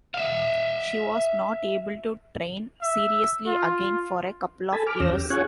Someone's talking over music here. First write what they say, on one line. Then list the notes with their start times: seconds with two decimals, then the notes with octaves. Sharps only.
She was not able to train seriously again for a couple of years.
0.14 E5 F5
2.81 E5
3.47 F4
4.73 A4 G#5 A5 B5
4.86 B5 D6 F6
5.00 E2 C#4 E6 F6 A#6
5.13 G4
5.30 C#4 F4 G#4 C#5 F#5 G#5